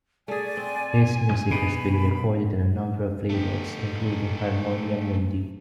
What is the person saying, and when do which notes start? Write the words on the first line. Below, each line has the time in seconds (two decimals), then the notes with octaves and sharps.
His music has been recorded on a number of labels, including Harmonia Mundi.
0.28 A3 G#4 D5 G#5
0.57 C4
1.51 B2 D4 D#4 G#4 B5
3.30 A3 G4